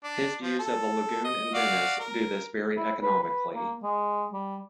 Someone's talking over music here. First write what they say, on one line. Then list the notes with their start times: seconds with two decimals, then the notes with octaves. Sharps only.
His views of the lagoon in Venice do this very economically.
0.04 D4
0.43 F3
0.59 A4
1.24 D#5
1.54 F#4 D5 F5
2.00 A#4
2.77 E4
3.02 B4
3.22 B4
3.55 A#3
3.83 G#3
4.33 G3